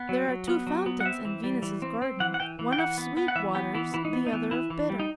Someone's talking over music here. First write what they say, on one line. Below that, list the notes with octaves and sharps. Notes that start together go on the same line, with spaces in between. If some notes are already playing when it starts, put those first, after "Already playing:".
There are two fountains in Venus's garden, one of sweet waters, the other of bitter.
Already playing: B3
F#3
F#3
B3
F#3
B3
F#5
C4 E5
E3
G3
E3
C4
C4
E3 F#5
F#5
E3 G5
E3
G5
E3 F#5
B3
B3
F#5
E3 E5
B3 G4
E3 E4
E3 E4
D#4
B3
D#4
E3
E3 E4
E3
G3
D#4